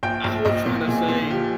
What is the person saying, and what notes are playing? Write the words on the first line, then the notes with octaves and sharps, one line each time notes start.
I would try to say
A#1 G5
A#1
A#1 D#5
A#2
A#2 G#4
A#2
F3 G4